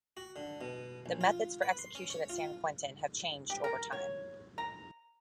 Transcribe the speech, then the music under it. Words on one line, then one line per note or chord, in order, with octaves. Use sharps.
The methods for execution at San Quentin have changed over time.
F#4
D3
B2
A#1
F4
B4
C6
C#4
C#5
F4
G4
A#4
C#5
A#5